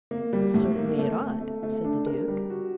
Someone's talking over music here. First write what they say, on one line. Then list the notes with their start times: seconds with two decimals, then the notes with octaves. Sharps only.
"Certainly it ought," said the Duke.
0.11 A#3
0.33 G3
0.54 A2
0.75 A#3
0.98 A3
1.19 A3
1.41 A3
1.63 A3
1.84 D4
2.06 A#4
2.28 G3
2.50 F#4